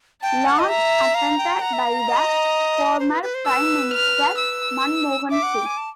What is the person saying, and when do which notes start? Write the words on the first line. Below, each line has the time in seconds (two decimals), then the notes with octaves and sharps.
Launch attended by the former Prime Minister, Manmohan Singh.
0.22 G5 A5
0.45 F#5
0.59 D#5
0.68 E5 A#5
1.15 F5 A#5
1.38 G5
1.61 F#5 A#5
1.73 E5
1.84 F5
2.08 D#5
3.00 C5
3.11 B4
3.23 B4
3.35 C5
3.46 B4 E6
3.93 F6
4.38 E6
5.31 E5 D6
5.43 F#5
5.54 G5
5.66 G#5
5.77 A5